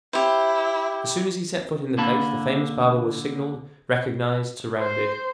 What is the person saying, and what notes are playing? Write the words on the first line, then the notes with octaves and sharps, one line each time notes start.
As soon as he set foot in the place the famous barber was signaled, recognized, surrounded.
E4 G4 C5
D3 A#3 A5 B5
C5